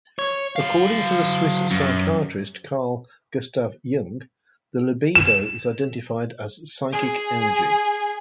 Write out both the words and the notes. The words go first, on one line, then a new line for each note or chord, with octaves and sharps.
According to Swiss psychiatrist Carl Gustav Jung, the libido is identified as psychic energy.
C#5
F#3 F5
F#2
E7
G#4